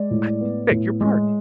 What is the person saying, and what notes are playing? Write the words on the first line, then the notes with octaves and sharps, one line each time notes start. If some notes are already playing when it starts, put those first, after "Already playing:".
I beg your pardon.
Already playing: G#3 D5
A2
B3
A2
G#3